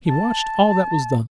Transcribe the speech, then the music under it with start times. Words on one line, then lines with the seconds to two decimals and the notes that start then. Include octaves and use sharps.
He watched all that was done.
0.07 A5